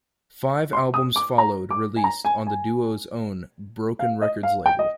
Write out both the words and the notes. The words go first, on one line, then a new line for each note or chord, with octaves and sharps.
Five albums followed, released on the duo's own Broken Records label.
C6
D#6
D6
A#5
D6
G#5
A#5
G#5
G#5
F5
D#5
F5
G5
D#5